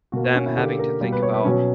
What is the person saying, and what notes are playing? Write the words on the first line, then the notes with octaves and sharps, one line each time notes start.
them having to think about
B2 A#3 F#4
F#4
C#4
E4
D3 A#3 G4
A#4
B2 G3 A#3 G4
B4
C#5
B4
B2 F#3 B3 C#4